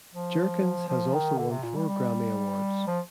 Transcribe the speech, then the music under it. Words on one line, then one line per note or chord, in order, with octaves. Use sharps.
Jerkins has also won four Grammy Awards.
F3
F3
D#3
D3
C3
A#2
G3
G3
F3